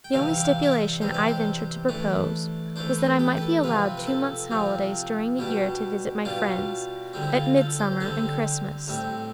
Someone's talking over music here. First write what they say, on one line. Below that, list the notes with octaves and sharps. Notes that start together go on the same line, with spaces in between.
The only stipulation I ventured to propose, was that I might be allowed two months' holidays during the year to visit my friends, at Midsummer and Christmas.
G5
C3 E3 G3 F5
G5
F5
D5
E5
C3 E3 G3 C5
D5
C5
E3 A3 D4
E3 A3 D4 C5
B4
G4
B4
A4
C3 F3 C4 B4
B4
A4
C3 F3 C4
B2 G3 D4
B2 G3 D4 F4
D3 G3 C4
E4
F4
A4
C5
D3 G3 C4 A4
A2 G3 C4